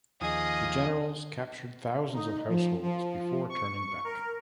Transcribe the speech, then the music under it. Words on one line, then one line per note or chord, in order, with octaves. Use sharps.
The generals captured thousands of households before turning back.
D#2 F3 G#4 D#5 D#6
D#4
F3
F3
C#6
A#4